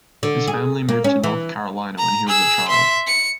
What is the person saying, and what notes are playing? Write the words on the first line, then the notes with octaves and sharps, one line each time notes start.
His family moved to North Carolina when he was a child.
D3
G#4
A#3
C#4
E3
A#5
G#4 E6
E5 C6
C#7